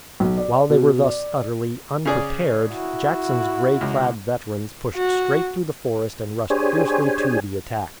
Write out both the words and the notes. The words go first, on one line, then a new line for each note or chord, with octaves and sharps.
While they were thus utterly unprepared Jackson's gray-clad veterans pushed straight through the forest and rushed fiercely to the attack.
B1
D5
B2
D5
C#3 G#4 D5
E4 F#4
C#2
F#4
D4 G4 G#4 C5 C#5 G#5